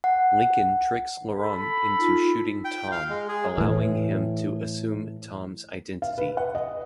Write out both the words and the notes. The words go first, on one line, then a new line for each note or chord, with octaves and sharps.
Lincoln tricks Laurent into shooting Tom, allowing him to assume Tom's identity.
F#5
A4 B5
D#4 F4
G5
F5
G#3
G#4
A2 E3
F5
B4
F#5
D#5